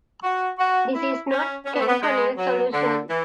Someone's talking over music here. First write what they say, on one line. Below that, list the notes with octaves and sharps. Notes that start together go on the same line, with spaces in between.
This is not a canonical solution.
F#4
F#4
E4
C#4
C#4
B3
A3
B3
G#3
F#3
D3
E3